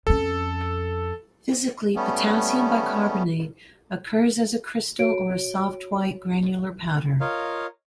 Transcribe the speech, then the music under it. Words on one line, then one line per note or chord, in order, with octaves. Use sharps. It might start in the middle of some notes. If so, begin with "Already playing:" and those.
Physically, potassium bicarbonate occurs as a crystal or a soft white granular powder.
F2 C#4 A4
G3 A3 B3 C#4
F#4 C#5 D7
F4 A#4 C#5 D#5 F5